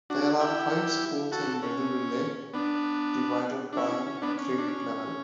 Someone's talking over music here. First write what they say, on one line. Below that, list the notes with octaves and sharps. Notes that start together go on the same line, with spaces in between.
There are five schools in Middleville, divided by grade level.
D4 F#4
E4 G4
F#4 A4
C#4
B3 D4
D4
C#4 E4
C#4
C#4
B3 D4
C#4
D4
C#4